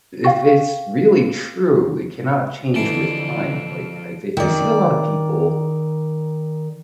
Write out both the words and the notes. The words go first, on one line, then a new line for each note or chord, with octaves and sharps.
if it's really true, it cannot change with time, like, I d I see a lotta people
F5 G5 C#6
D3 E3 F3 A4 C7 D7 E7
D#3 D5